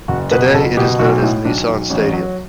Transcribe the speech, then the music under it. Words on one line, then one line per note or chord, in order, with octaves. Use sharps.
Today, it is known as Nissan Stadium.
F#1 F#4
B2 B4
F#1 A4
B2 G4
B1 F#4
A2 E4
B1 D4
B1
A1 C#4
F#3